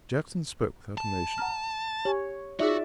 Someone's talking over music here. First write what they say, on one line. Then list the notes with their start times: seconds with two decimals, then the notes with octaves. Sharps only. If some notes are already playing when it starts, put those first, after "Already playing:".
Jackson spoke without emotion.
0.98 A5
1.38 F#5 A#5 F6
2.05 G4 C#5 G#5
2.60 D#4 F4 F#4 G#4 D5 E5